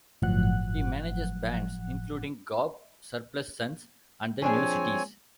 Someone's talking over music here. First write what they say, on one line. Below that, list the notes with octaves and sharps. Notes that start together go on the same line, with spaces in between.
He manages bands including Gob, Surplus Sons, and The New Cities.
G1 A2 F3 F#3 F#5 F#6
F3 C4 D4 G#4 C#5 G#5